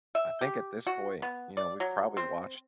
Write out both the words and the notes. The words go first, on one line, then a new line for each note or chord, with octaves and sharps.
I think at this point, you know, we've probably watched
E5
G4
F#4
B3
D5
F#3
C4